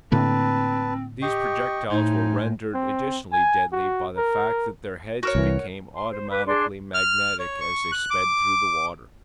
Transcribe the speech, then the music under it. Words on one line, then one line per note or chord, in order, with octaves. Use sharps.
These projectiles were rendered additionally deadly by the fact that their heads became automatically magnetic as they sped through the water.
A2 D3 A#3 C4 B4 A5
G4 D#5 G5 C#6
A2 D#4 C5 G#5
C4
G#5
F#4
A#4
F#4 A#4 C#5
C2 E3
C6
C5
B4 D6
D4 G#4 D5 C6
F6
C#5
C#6
F#6
D6